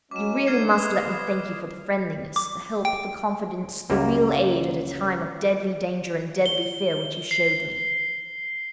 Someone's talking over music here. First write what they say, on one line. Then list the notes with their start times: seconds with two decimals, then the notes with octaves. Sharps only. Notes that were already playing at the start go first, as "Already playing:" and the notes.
You really must let me thank you for the friendliness, the help, the confidence, the real aid at a time of deadly danger and deadly fear which you showed me.
0.11 F#3 G#3 C#4 D6 E7
0.47 D3 D#4 F6 G#6 C7
0.78 B4 D#6
2.36 D6
2.85 G5
3.90 C#2 F#2 A#3
6.46 G7
7.31 C7